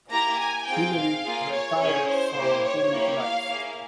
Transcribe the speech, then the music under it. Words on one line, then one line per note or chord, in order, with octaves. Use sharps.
Hillery retired from public life.
A#3 E4 G4 A#5
G#5
C4 F4 G#4 G5
F5
A#3 F4 G#4
C#5
C#4 E4 G#4
C5
A#3 E4 G4
C#5
A#3 E4 G4
F5
A#3 E4 G#4